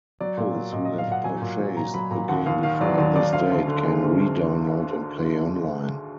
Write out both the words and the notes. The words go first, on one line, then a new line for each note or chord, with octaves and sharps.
Those who have purchased the game before this date can re-download and play online.
F#3 D5
A#2
F#3
A#2 D#5
F#3 D#5
F5
A#2 F#5
F#3 G#5
A#2
F#3
A#2 A#5
F#3 B5
A#2 A#5
D#2 F#5
D#2 F5
D#3 F5
F#3 D5
D#2 D5
D#2 D5
D2 F5
D2
D3
G#3
D2
D2